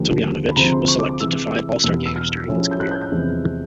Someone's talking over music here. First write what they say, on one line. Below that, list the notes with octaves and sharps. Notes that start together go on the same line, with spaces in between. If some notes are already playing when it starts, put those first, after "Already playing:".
Tomjanovich was selected to five All-Star Games during his career.
Already playing: D#2 D3 F3
B5
D2 C3 F3 G#3 C4 A#5
C6
C#6
D6
D6
C3 E3 G#3 E6
E2 B2 G3 E6
E6
F6
A2 F3 G#3 C#4
G6
F#6
G6
G6
E2 C3 F3 G#3 C4